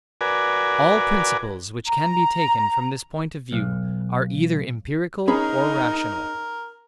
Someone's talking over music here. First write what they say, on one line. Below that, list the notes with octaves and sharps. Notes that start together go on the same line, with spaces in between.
All principles which can be taken from this point of view are either empirical or rational.
F#4 A#4 B4 D5 G#5
A#5
B1
C#4 D#4 G#4 A#4 B5